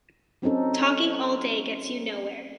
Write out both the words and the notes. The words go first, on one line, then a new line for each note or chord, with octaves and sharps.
Talking all day gets you nowhere.
F#3 C4 C#4 D#4 A4